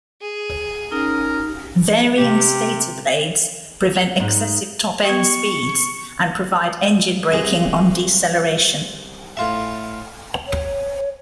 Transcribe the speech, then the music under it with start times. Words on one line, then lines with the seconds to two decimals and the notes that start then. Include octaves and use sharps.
Varying stator blades prevent excessive top end speeds, and provide engine braking on deceleration.
0.21 G#4
0.92 C#4 D#4 A#4
2.18 C3 G4
4.20 G#2
5.05 B3 G4 C#6
7.32 C2 G#4 D#5
9.37 A2 F4 E5
10.48 C#5